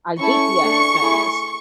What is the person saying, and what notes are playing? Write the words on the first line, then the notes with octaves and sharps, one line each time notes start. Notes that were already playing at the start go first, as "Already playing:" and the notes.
I did the act of kindness.
C#4 E4 A4 C#6
A3 D4 G#4
A3 E4 G#4